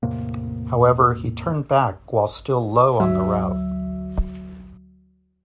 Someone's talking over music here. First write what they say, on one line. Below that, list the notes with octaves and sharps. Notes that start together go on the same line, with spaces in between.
However he turned back while still low on the route.
E2 A2 C3 A#3
D2 F#3 E5